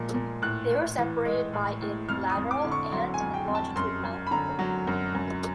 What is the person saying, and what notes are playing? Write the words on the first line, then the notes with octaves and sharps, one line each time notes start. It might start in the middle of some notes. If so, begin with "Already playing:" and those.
They were separated by in lateral and in longitudinal.
Already playing: A#2 F3 G#3
A#2
A2 F#6
A2
E3
G#3
A2
A2
F2 F6
D#6
F2
D6
D3
C#6
F#3 C6
G#5
F2
G5
F2
A5
F#2 C6
F#2
B5
D3 A#5
F#3
F#2
F#2